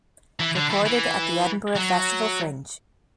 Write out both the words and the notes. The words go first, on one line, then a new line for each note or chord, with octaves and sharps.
Recorded at the Edinburgh Festival Fringe.
E3
D3
E3
E3
F#3